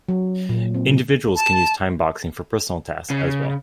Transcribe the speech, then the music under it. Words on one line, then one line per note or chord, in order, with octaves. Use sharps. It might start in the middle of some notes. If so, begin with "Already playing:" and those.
Individuals can use timeboxing for personal tasks, as well.
F#3
A#2
C4
A5
C#3